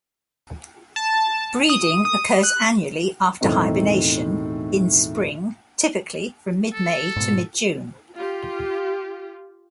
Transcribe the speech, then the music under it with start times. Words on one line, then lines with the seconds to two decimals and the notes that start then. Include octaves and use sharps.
Breeding occurs annually after hibernation in spring, typically from mid-May to mid-June.
0.96 A5
1.70 D#6
2.05 D#6
2.43 F#6
3.41 E1 A2 D#3 C4 D#4
6.73 A4
7.16 G#2 B2
8.15 F4 G4